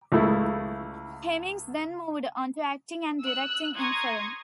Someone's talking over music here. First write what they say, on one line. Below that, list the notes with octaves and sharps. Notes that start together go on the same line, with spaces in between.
Hemmings then moved on to acting and directing in film.
C#2 C#3 A3 E4
E6 F#6
A#5 C6 C#6 D#6 G#6